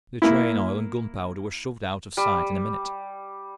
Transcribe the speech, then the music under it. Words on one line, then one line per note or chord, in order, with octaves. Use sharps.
The train-oil and gunpowder were shoved out of sight in a minute.
A#3 E4
G3